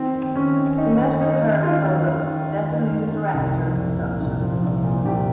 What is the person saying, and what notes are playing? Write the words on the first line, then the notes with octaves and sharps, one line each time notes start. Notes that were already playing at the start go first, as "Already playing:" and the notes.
He met with Herb Solow, Desilu's Director of Production.
Already playing: D#3 C4
D#2
D#2 C#4
D#3
D#3 D#4
D#2
D#2 D#4
D#3
D#3 F4
D#2
D#2
D#3
D#3
D#2
D#2
D#3
C2
F3
C2
A#2
C2
F3
C2
A#2
C2 G4